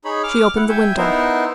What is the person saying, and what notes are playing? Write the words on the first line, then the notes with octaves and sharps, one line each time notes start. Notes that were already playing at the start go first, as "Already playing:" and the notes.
She opened the window.
D#4 G#4 C#5 B5
D6 F6
E4 F#5
E5 G5 G#5
B3 D#4 E4 A#4 C5